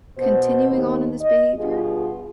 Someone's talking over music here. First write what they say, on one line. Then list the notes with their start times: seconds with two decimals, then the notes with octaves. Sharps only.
continuing on in this behavior,
0.18 B2 C5
0.69 D#2
1.21 D#5
1.58 G2 B2 F4 G#4